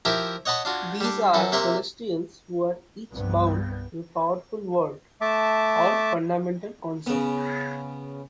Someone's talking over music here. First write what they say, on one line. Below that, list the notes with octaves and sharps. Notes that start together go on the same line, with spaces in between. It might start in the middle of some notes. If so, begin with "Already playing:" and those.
These are celestials who are each bound to a powerful "Word," or fundamental concept.
F3 E4 G4 A#4 E5
C#5 D#5 F#5 A5 B5 C#6
D4 F4 F#4
G3 D4
F#2 F#4 A4
C3 A#3 E5 C6 C#6
C2 G2 B3
A3 E5 A5 D6
C#3 B3